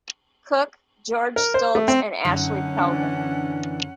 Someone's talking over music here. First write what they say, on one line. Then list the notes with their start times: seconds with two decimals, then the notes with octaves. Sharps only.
Cook, George Stults and Ashley Peldon.
1.36 A#4
1.54 C5
1.75 A3
1.88 C4
2.25 F#2 D3 C#4 D#4 F#5
2.79 E3 D4